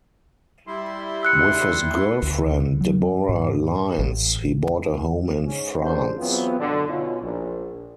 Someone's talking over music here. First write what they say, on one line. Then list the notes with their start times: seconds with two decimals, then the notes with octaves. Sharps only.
With his girlfriend Deborah Lines, he bought a home in France.
0.67 G3 E4 C6
1.23 E6 F#6 C#7
2.22 D2
2.81 F#3
3.29 G#2
3.99 A1
5.45 G#2 C#4
5.82 C#4 D4 G#4 A#4 C5
6.18 E2 F#3 B3 C4 F4
6.60 F#2 B2 D3
6.89 B2 C#4 D#4 F4
7.22 A#1